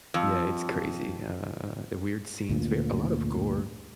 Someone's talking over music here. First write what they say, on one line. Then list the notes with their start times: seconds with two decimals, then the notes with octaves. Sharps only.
Yeah, it's crazy, uh, e weird scenes, ver a lot of gore.
0.14 F2
2.49 D2 A#2